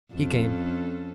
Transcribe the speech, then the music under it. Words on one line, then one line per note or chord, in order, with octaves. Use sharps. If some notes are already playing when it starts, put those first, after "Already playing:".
He came.
F2 C#4 A4